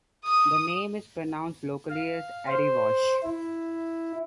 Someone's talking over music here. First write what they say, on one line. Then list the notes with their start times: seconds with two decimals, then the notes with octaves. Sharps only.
The name is pronounced locally as 'Erry-wash'.
0.24 D#6
1.90 F5
2.47 C5
3.23 E4